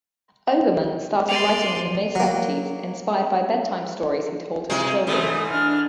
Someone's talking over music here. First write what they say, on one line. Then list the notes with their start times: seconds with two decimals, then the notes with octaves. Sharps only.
Oberman started writing in the mid-seventies, inspired by bedtime stories he told his children.
1.29 D5 C6 D#7 F7
2.15 F#3 A#3
4.70 G#2 C3 G#3
5.07 G#2 E3 A3 D#6
5.51 D4 F6